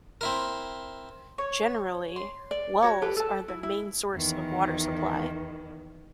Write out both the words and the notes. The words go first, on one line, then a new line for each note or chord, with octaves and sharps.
Generally wells are the main source of water-supply.
C4 E4 A#4
C#5
C6
D5
F#4 C#5
G4 A4 B4
A4 A5
E4
E4
E2 D#3